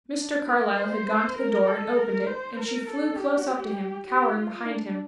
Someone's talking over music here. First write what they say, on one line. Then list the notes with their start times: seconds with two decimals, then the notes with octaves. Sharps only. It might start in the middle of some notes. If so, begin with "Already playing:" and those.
Mr. Carlyle had gone to the door and opened it, and she flew close up to him, cowering behind him.
0.18 D4
0.47 A#4
0.77 C5
1.37 A#4
1.67 A4
1.96 A#4
2.27 C5
2.57 A#4
2.86 A4
3.16 G4
4.06 G4
4.36 F4
4.66 D4